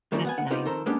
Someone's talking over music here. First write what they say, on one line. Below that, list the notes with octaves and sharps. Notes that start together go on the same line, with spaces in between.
That's nice.
D#3 E3 F#3 G3 A3 C4
B3 F#5 G#5
F#5
B3 C4 D#4 F4 G4
F2 D#3 A4 C5 A#5
G#3 A#3 B3 C#4 D4 G4